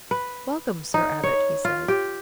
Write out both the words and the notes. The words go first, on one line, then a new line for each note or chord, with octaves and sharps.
"Welcome, Sir Abbot!" he said.
B4
D#4
C#5
F4
G4